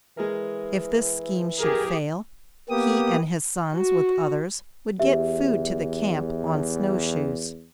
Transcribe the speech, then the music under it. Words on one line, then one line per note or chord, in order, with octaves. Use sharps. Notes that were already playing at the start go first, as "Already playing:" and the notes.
If this scheme should fail, he and his sons with others would get food to the camp on snowshoes.
E3 G#3 G#4 A#4
G4 G#4 A#4
A#3 B3 G4 D#6
F#4
E2 G4 E5